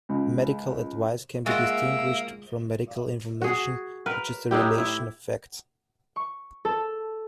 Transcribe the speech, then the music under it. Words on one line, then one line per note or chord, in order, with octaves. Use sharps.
Medical advice can be distinguished from medical information, which is the relation of facts.
C#2
G#3 A#3 F4 F#4 E5
F#4 G#4
A#4 B4
A2 D#4 E4 G4
E4
C#6
A4